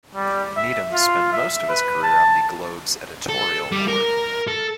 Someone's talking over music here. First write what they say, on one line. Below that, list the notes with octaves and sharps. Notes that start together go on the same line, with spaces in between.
Needham spent most of his career on the "Globe"s editorial board.
G3
E5
F4
E5
B4
A5
A4
G3
A#4
A4